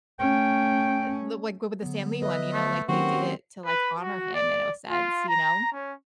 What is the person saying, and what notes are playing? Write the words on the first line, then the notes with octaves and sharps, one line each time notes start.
uh like go with the Stan Lee one, you know, like they did it to like honor him in a sense, you know?
A3 C#4 G5
D3 F#3 B3
B4 D#5 E5
A3
D#3 F#3 A#3 C4 C#4 F#4 G4 F#5
B4
F#4
D5
F4
A#5
C#4